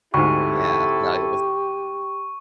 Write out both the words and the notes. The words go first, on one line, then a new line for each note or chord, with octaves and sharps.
Yeah, no, it was
D2 G#2 C4 E4 G4 A4 C#6